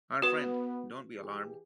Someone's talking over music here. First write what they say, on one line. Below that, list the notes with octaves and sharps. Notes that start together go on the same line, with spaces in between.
Our friend — don't be alarmed!
B3 F#4 B4
E3 G4 G#4